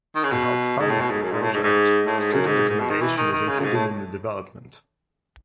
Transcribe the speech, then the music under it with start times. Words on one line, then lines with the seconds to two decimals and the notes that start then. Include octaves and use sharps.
To help fund the project, student accommodation is included in the development.
0.16 D#3
0.24 C#3
0.32 B2
0.79 G#2
0.90 A2
1.01 B2
1.11 G#2
1.22 F#2
1.32 G#2
1.42 A2
1.53 G#2
1.63 G#2
2.06 A2
2.19 G#2
2.32 F#2
2.46 G#2
2.69 G#2
2.80 B2
2.90 D#3
3.01 E3
3.17 D#3
3.32 D#3
3.48 C#3
3.59 F#2
3.64 G#2
3.75 A2